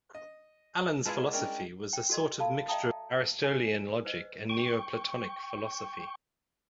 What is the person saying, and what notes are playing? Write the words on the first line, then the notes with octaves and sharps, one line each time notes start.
Alan's philosophy was a sort of mixture of Aristotelian logic and Neoplatonic philosophy.
D#5
G#3 E4 F4 G#4 B4 A5
C#4 D4 A#4 G5
G5
F#4 A4 D5 D#5 C6
A4 D5 F5 A5 B5
D#5 E5 G5 A5 A#5 D#6
G#5
B4 C5 D#5
G5 C#6